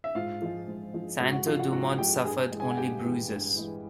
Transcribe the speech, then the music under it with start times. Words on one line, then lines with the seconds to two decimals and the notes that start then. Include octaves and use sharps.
Santo-Dumont suffered only bruises.
0.04 E5
0.15 G#2 F4 F5
0.42 F3 G#3
0.68 G#2
0.94 F3 G#3
1.20 G#2 F#4 F#5
1.33 F#4 F#5
1.46 F3 G#3 F4 F5
1.59 F#4 F#5
1.72 G#2 F#4 F#5
1.98 F3 G#3 G4 G5
2.25 G2 G#4 G#5
2.51 E3 G#3
2.59 G#4 G#5
2.70 F#5
2.77 G2 G4 G5
3.03 E3 G#3
3.29 G2
3.56 E3 G#3